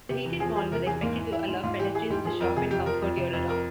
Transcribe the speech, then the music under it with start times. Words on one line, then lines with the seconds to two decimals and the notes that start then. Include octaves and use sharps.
The heated mall was expected to allow pedestrians to shop in comfort year-round.
0.09 C3 G4
0.26 E2
0.40 F3 G#4
0.55 E2 G#4
0.71 C3 A#4
0.86 E2 G#4
1.02 G#2 A#3
1.18 E3
1.33 E3 E4
1.48 G#2
1.63 G#2 F4
1.79 E3 G4
1.95 E3 G#4
2.10 G#2 G4
2.25 F3 G#4
2.40 F2 A#4
2.56 C3 G#4
2.71 F2 G4
2.86 F3 A#4
3.02 F2
3.17 C3
3.33 F2
3.49 A#4